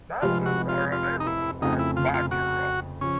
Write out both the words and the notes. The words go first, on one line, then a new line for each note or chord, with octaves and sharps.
Buses are available at Baghmara.
F1 F2 C3 F3 G#3 F4
F#4
F4
F4
D#4
E4
F2 C#3 F3 A3 D#4
E4
F4
F4
F#4
C#3 F3 C#4